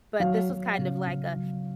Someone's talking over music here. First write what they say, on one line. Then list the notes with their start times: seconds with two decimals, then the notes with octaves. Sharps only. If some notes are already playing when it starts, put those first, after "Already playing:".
but this was kind of like a,
0.20 F#3 F5
0.50 F#3
0.79 C#3
1.07 C#3
1.36 F#3